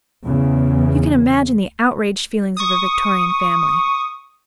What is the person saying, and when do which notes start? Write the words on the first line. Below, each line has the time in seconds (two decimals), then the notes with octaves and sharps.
You can imagine the outraged feelings of her Victorian family.
0.24 E2 C#3
2.57 C#6 D#6